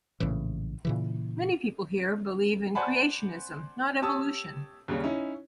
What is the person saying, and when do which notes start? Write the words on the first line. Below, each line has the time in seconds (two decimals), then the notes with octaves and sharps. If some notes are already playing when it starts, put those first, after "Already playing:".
Many people here believe in creationism, not evolution.
0.20 A#1 A2 C#3 E3
0.85 A#2 C#3 E3
2.75 C5 D5 F#5 G#5 A5 B5
4.02 G4 C#5 A5 D#6 E6
4.88 D#2 C#3 G3 C#4
5.04 C#4 D#4 E4